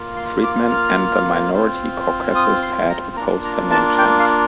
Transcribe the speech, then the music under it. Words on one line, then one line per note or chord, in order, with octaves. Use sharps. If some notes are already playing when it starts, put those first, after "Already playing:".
Friedman and the minority caucuses had opposed the name change.
Already playing: A#3 F4
C6
D6
F6
C4 F4
D#6
C6
A#5
A#3 D4 F4 A#5
A#5
A5
G5
F5